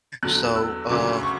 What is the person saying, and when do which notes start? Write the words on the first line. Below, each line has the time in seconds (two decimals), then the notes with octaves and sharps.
So, uh,
0.23 E2 D3 F#3 F#6
0.56 E6
0.89 D2 C#3 F#3 D6
1.23 C#6